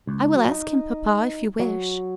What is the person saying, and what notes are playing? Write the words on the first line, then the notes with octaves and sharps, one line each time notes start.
"I will ask him, papa, if you wish."
C#2
F#3
D#4
F#3